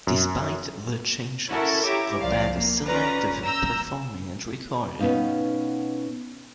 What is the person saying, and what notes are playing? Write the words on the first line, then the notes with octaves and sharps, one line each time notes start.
Despite the changes, the band is still active in performing and recording.
F#2
C#4 E4 F#4 A4 A#4
E4 G4 C#5 E5 A#5 D6
C2 F3 D5 F5
A#3
C#4 F4 B4 D5 A#5
A#5 E6 G6
B2 B3 C#4 D#4 F5